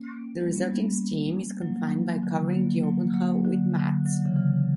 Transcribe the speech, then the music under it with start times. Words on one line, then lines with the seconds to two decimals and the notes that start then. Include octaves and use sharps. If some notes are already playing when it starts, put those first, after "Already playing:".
The resulting steam is confined by covering the open hull with mats.
Already playing: A#3 C#4
0.40 G3 B3
0.55 A#3 C#4
0.71 G3 B3
1.62 F#3 A#3
2.23 D3 F#3
2.49 B3
2.53 F#3 A#3
2.83 F#3 A#3
3.14 F#3 A#3
3.45 D3 F#3
3.75 D3 F#3
4.05 D3 F#3
4.25 C#3 E3
4.36 C#3 E3